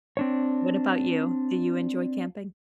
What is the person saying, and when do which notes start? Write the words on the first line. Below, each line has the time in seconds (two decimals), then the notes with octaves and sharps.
What about you? Do you enjoy camping?
0.17 C4 D4 C#5